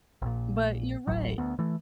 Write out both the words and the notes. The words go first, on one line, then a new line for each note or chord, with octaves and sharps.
But you're right.
A#1 A#2
D1 A1 A2 F#3
D2 B3
E3 A3